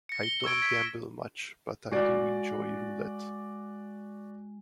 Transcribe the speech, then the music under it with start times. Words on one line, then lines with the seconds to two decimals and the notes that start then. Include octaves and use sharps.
I don't gamble much, but I do enjoy roulette.
0.09 A#6 C#7
0.23 G7
0.44 C#6 E6 G#6 D7
0.62 G#6 B6
1.92 G#3 F#4 D5